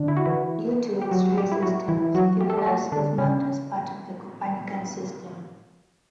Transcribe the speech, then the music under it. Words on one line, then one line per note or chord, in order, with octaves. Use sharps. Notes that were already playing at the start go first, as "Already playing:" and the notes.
Due to its ray system, Stevinus is mapped as part of the Copernican System.
Already playing: D3 D4
E4
F#4
E3 E4
G4
F#3 F#4
G3 G4
E4
F#3 F#4
E3 E4
F#3 F#4
G4
A4
G3 G4
F#3 F#4
D3 D4
C#3 C#4